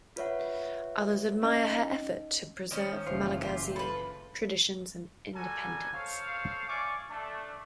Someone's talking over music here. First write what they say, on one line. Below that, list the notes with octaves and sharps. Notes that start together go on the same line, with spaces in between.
Others admire her effort to preserve Malagasy traditions and independence.
F4 B4 C#5 E5 F#5
C#4 D#4 D#5
D#3 F3 C#4
F#1 E3 F4 C5
G4 G5 C6
A4 B4 B5 C6
G3 F#4 A4 A#4 G#5
A4 C5 C#5 F5
D5 E5 F5 G#5 C#6 D6
A3 D4